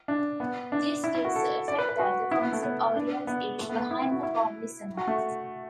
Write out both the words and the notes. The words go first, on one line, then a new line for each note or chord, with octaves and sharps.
This gives the effect that the concert audience is behind the home listener.
D4
B3
D4
E4
E4
F#4
A4
D5
B4
B4
F#4
E4
B3
A3
B3
D4
B3
A3
B3
B3
E4
E4
F#4
E4
F#4
A3